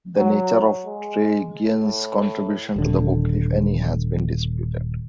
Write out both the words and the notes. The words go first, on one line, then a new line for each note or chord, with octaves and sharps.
The nature of Tregian's contribution to the book, if any, has been disputed.
F#3
G#3
A2
D#1 D3